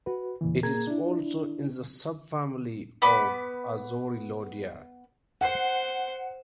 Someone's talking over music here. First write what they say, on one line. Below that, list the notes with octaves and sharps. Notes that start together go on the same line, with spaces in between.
It is also in the subfamily of "Azorelloideae".
F#4 B4
E2 A#2 C#3 E3
A#2 A#3 G#4 A#5 G#6
D4 E4
B3 B5 D6
C5 F#5 C7